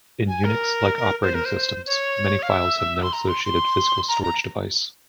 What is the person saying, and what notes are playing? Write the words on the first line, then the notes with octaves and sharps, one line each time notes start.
In Unix-like operating systems, many files have no associated physical storage device.
G#5
A#4
C5
A#4
C5
C#5
F5
E5
C6
A#5
C6
C6
A#5
A#5